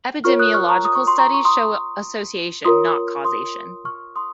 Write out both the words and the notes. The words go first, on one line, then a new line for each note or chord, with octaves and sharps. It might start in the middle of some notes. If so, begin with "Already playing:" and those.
Epidemiological studies show association not causation.
F4 A#4 C#5 C#6 F6
D#6 F#6
C#6 F6
A#5 C#6
D#6
C#6
C6
A#5 C#6
C#6
C6 D#6
F4 A#4 C#5 C6 D#6
C6 D#6
C#6 F6
C6 D#6